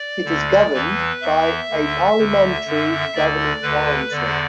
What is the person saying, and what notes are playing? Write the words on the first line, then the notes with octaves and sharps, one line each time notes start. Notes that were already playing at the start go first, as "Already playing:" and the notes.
It is governed by a parliamentary governing council.
Already playing: D5
D2 D3
E2 E3 B4
E2 E3 E5
D2 D3
D2 D3
F#2 D3
D2 D3 D5
D2 D3 B4
E2 D3 D5